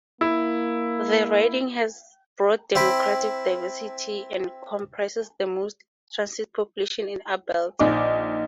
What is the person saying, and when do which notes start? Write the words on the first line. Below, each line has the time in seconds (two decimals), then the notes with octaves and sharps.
The riding has broad demographic diversity, and comprises the most transient population in Alberta.
0.21 A#3 E4
2.75 C4 E4 G5 B5
7.79 A#1 D#4 D6